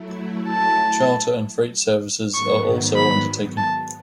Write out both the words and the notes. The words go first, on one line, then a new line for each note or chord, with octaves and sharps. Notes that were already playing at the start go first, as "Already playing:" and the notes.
Charter and freight services are also undertaken.
Already playing: F#3 A3 E4
A5
G#2 D#3 F#3 B3 C#6
B5
A5